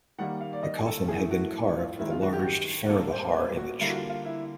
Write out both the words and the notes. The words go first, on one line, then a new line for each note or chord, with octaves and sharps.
The coffin had been carved with a large faravahar image.
D#3 G3 A#3 F#5
F5
D5
D#5
A4
A2 E3 A3 G#4
F#4
F4
D#3 G#3 E4
F4
F#4
G4
F#4
G4
A#2 G3 A#3 A4
C5
B4
F#4
D3 G3 A#3 E4
F#4
F4
F4
E4